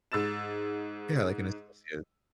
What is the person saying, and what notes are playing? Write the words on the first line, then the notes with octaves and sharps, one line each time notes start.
Yeah. Like an associate.
G#2 E6 A6 E7